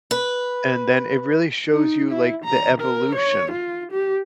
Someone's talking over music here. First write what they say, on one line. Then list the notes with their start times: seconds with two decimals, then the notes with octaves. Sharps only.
and then it really shows you, like, the evolution,
0.11 B4
1.72 D#4
2.11 E4
2.45 A#5
2.81 A#4
3.15 C#5
3.52 F4
3.92 G4